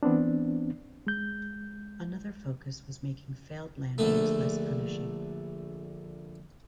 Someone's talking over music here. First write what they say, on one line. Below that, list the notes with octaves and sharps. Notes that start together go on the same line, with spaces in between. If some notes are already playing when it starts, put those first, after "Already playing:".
Another focus was making failed landings less punishing.
E3 B3 C4 D4
G#3 G6
A#1 D3 A3